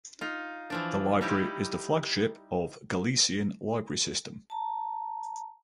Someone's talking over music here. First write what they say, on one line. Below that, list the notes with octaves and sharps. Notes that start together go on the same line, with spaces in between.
The library is the flagship of Galician library system.
D#4 F4
E3 F3 D4
G3 D#4 E4 G4
A5 A#5